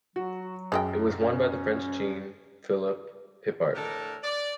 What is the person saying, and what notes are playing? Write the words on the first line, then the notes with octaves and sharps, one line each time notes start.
It was won by the French Jean-Philippe Pipart.
F#3 F#4
F#2 G#3 A4 G5
C#4
A2 D4 A4 A#4
D5